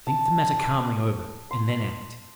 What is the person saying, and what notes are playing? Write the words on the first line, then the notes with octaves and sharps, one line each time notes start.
Think the matter calmly over, and then act.
A5
C6